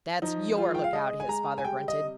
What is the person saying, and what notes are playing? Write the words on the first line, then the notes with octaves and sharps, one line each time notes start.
"That's YOUR lookout!" his father grunted.
F3 D#4
G#3 F4
G5
F5
G#3 D#5
G#5
G#3 A#5
G#5
G3 G5
D#5
C3